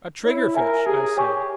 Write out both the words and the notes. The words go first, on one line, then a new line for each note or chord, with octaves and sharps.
"A triggerfish," I said.
E4 C#5
A#4 E5 G#5
G4 G#4
G4 C#5 G#5 C#6